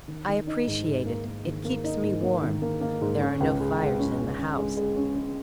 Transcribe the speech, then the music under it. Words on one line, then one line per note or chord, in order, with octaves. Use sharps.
I appreciate it--it keeps me warm; there are no fires in the house.
D#3
D#3
D#4
G#2
G#2
A#3
A#3
D#3
A#3
D#4
G#2
A#3
D#3
A#3
A#3
G#2
C#4
C#2
G#3
G#3
C#4
C#2
C#4
G#3
G#3
C#4
C#4